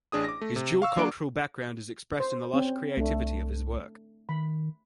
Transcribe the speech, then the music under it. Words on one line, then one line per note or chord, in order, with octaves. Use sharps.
His dual cultural background is expressed in the lush creativity of his work.
A1 D4 G#4 D#6
D6 A#6
A3
C3
F5 C#6 E6
F#3 A#3 D4 D6 D7
C5
C4 C#4
C2 A3 D4
D#3 B5